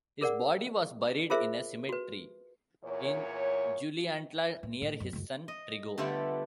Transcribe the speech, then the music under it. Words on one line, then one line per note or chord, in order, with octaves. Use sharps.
His body was buried in a cemetery in Juliantla near his son Trigo.
G#4 A#4 D5 F#5
F4 G#4 A#4 C5 E5
F#4 B4
E2 A#2 C#5
A2
A2
F#2
C#2 F#2
D#5
D3 G3 A3 B3 F4 D5